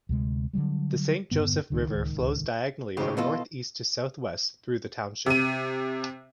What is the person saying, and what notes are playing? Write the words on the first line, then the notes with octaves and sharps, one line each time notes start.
The Saint Joseph River flows diagonally from northeast to southwest through the township.
D2 C3 G#3
D3 D#3 F#3 G3
E1 G2 D3 B3
D1 C#2 D#3
G#1 G#2 C#3 G4
B2 E3 F4 A4 D#5
C3 D#7